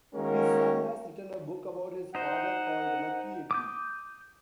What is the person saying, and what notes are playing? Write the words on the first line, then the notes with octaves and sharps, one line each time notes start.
His son has written a book about his father called "Lucky Eddie".
D#3 G#3 A#3 C#4 F#4 A#4
D#4 C5 F#5
D6 D#6 G6